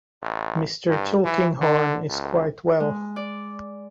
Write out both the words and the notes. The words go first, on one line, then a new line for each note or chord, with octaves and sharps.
Mr. Tulkinghorn is quite well.
A1
G2
E3
D3
C#2
G#3
D5